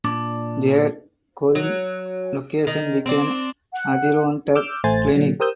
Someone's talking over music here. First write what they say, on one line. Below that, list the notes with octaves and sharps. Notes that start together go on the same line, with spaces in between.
Their "Corinth" location became "Adirondack Clinic".
A#2 D4 D5
F#3
D#3
C4 D4
F#5
D6 E6 F6 G6
A1 A3 C5 G#5 A6
A#2 D3 F#3
G4 A#4 C5 D#6 E6 G6